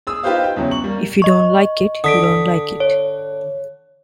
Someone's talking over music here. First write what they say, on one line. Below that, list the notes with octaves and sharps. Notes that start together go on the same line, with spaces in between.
If you don't like it, you don't like it.
G#4 D#6 E6
D#4 F4 G4 B4 C5 F5
G5
E2 C#3 E3 F#3
C#6 F#7
G3 A#3
D#5 C#6
D3 D#6 B6 D7
C#5